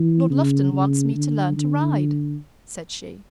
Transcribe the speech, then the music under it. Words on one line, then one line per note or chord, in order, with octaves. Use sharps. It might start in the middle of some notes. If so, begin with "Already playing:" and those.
"Lord Lufton wants me to learn to ride," said she.
Already playing: E3
C#3
C#3
D3
D3